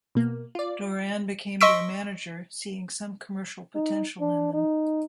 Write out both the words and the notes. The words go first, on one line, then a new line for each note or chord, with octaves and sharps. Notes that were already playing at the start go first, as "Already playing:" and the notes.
Doran became their manager, seeing some commercial potential in them.
B2 A#3
F4 D5
D#5 C6 C#6 E6 B6 D7
D#4
D4
D#4